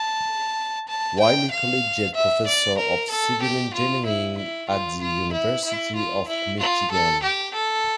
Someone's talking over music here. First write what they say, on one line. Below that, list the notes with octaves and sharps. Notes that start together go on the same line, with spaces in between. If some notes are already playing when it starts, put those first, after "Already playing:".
Wylie Collegiate Professor of Civil Engineering at the University of Michigan.
Already playing: A5
A5
G5
F5
E5
D5
A#4
A4
G4
F4
E4
E4
F4
F4
E4
E4
F4
E4
F4
A4
G4
A4